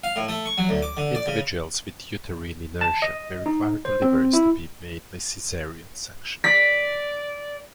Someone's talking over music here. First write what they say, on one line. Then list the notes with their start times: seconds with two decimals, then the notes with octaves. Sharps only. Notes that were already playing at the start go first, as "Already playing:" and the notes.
Individuals with uterine inertia may require deliveries to be made by Caesarean section.
0.04 F5
0.16 A2
0.28 A3
0.46 C#6
0.58 F#3
0.69 D2
0.82 D6
0.97 D3
1.15 D5
1.27 C#3
2.81 A5
3.02 D#5
3.46 D#4
3.85 C5
4.02 C4
4.33 E4
6.44 D5 B6